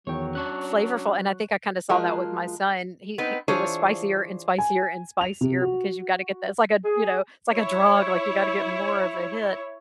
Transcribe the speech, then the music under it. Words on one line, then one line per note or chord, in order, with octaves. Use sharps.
flavorful and I think I kinda saw that with my son, he he it was spicier and spicier and spicier because you gotta get that it's like a, you know, it's like a drug, like you gotta get more of a hit,
E2 D#3 F#3 C#5 G5
C#4 D4 C#6 F#6
F3 G#3 F4 F#4 A#4
B3 C4 D#4 B4
E3 D4 F4 G#4 C5 C#5
G#5
F7
C3
F#4
G#4
E4 C#5